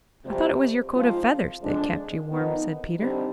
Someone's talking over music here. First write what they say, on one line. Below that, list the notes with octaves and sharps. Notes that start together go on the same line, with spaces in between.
"I thought it was your coat of feathers that kept you warm," said Peter.
F2 C3 G3
G#2 F3 C4 F4
F2 D3 G#3 D4
F2 D#3 B3 D#4
D3 G3 C4 D#4